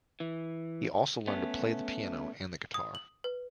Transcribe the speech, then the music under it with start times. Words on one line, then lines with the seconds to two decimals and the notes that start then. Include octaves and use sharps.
He also learned to play the piano and the guitar.
0.20 E3
1.27 A3 B3 C#4
2.74 D#6
2.95 F#7
3.24 B4